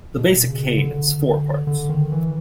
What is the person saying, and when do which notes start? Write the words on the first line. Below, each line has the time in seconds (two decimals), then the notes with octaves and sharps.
The basic cane has four parts.
0.18 B2
0.48 C#3
0.78 D3
1.67 D3
1.89 D#3
2.12 E3